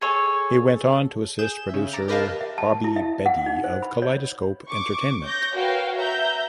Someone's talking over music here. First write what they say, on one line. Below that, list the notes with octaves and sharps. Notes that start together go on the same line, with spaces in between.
He went on to assist Producer Bobby Bedi of Kaleidoscope Entertainment.
G#4 A4 C#5
G#4 G6 E7
C#3 E5
D5 A#5
G4 A#4 B4 D#5 F5 A5
E5
A5
E4
E5
F#5
D#4
C5
B5
C#5
C#6 D6
C#5 G6 A#6
F#4 A#4 B4 C#5 F5 G5
E5 A#5 G6